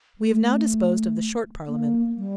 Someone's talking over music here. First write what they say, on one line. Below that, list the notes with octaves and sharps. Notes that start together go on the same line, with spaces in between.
We have now disposed of the Short Parliament.
A3
A#3
G3